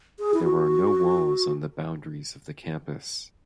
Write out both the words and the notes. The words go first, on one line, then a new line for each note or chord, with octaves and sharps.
There are no walls on the boundaries of the campus.
G#4
E4
F#4